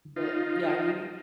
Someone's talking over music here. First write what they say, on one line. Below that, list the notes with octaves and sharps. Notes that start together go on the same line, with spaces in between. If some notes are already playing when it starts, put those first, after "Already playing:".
Th Yeah, we
D#4 F4